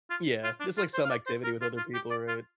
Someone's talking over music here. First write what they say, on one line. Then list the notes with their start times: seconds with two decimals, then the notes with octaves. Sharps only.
Yeah, just like some activity with other people, right.
0.10 F4
0.44 F4
0.60 D4
0.77 F4
0.94 C5
1.04 F5
1.10 D5
1.27 C5
1.44 A#4
1.61 F4
1.77 F4
1.94 G4
2.11 D5
2.28 F4